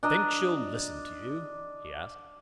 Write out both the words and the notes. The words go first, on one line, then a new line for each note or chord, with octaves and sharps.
"Think she'll listen to you?" he asked.
D4 D#5 A#5